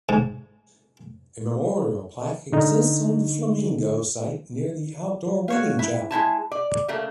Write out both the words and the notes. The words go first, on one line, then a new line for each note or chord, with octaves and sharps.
A memorial plaque exists on the Flamingo site near the outdoor wedding chapel.
G#2
D3 D#4
F#4 C#5 F5
E4
G#3 C4 E4 A5
D5
C#3 A3 A#3